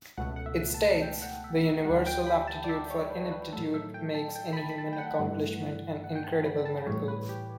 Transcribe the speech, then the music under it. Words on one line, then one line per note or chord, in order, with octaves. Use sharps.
It states: The universal aptitude for ineptitude makes any human accomplishment an incredible miracle.
C#2 B2 A3 F#5
F#5
E5
A5
G5
F#5
E5
E5
D2 D3 G3 F#5
G5
B5
A5
D5
E5
C#5
B4
B4
A2 F#3 A3 A4
E5
G5
A5
G5
B5
A5
B5
A5
G5
F#5
G2 E3 A3
F#5
G5
A5
B5
A5
A2 E3 G3 C#5
B4
G4